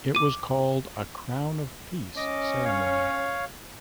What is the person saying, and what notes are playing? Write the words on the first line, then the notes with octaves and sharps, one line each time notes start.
It was called a "Crown of Peace" ceremony.
D6 D#7
C#4 D#5 D6
C#5 F5